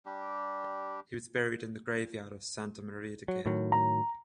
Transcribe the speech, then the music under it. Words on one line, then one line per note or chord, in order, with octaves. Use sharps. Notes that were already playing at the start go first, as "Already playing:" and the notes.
He was buried in the graveyard of Santa Maria de Guess.
G3 D4 G4
F#3
A2 D#3 F#3
A#5